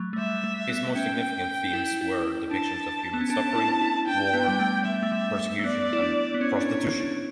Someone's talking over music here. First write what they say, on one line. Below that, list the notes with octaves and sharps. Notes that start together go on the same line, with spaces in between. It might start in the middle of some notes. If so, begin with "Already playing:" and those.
His most significant themes were depictions of human suffering, war, persecution and prostitution.
Already playing: F#3 A3
A3
G3 E5
A3
B3
C#4 G5
E4
E4
D4 A5
B3
C#4
D4 A5
E4
E4
D4 G5
B3
G3
A3
G3 E5
A3
G3
A3
B3 D5
E4
D4
B3
C#4 C#5
D4
D4